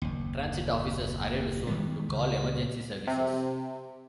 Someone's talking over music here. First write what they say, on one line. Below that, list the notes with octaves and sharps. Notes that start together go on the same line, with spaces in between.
Transit officers arrived soon to call emergency services.
F#1 D#2
D#3 G#3 B3
C#2 C#3
C3